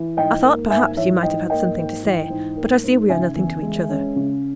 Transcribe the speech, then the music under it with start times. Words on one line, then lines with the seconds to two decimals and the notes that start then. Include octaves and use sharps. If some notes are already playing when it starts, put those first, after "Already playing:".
I thought, perhaps you might have had something to say, but I see we are nothing to each other.
Already playing: E3
0.17 G#2 D#5 G5
0.44 A#3
0.70 G#2 E5 G#5
0.96 E3 C#5 E5
1.23 G#2 D#5 G5
1.50 A#3 D#5 G5
1.77 G#2
2.03 E3
2.30 G#2
2.57 A#3
2.83 G#2
3.09 C#3 E5 G#5
3.36 E2
3.63 G#3
3.89 C#4
4.16 C#3